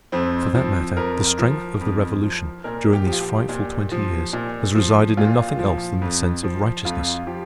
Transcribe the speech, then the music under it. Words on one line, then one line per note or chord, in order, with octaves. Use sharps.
For that matter, the strength of the Revolution, during these frightful twenty years, has resided in nothing else than the sense of righteousness.
F2 C4
F3
F2 A#4
F3
F2
F3
A#2 A#4
G4
F3
F4
G4
A#2
F3
A#2
F3
A#2 F4
F3
F2
F3
F2 F4
F3 G4